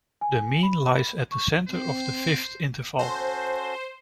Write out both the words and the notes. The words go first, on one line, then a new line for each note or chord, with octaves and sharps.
The mean lies at the centre of the fifth interval.
G#5
B5
C#6
C4 C5
C#4 F#4 A4 C5